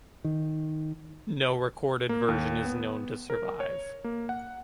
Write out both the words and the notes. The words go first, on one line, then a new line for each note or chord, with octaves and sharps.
No recorded version is known to survive.
D#3
A#3
D#2
B3
A#4
C#5
A#3
F#5